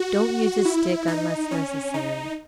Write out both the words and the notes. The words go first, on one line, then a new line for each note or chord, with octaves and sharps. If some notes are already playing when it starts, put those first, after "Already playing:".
Don't use a stick unless necessary.
Already playing: F#4
E4
D#4
C#4
D#4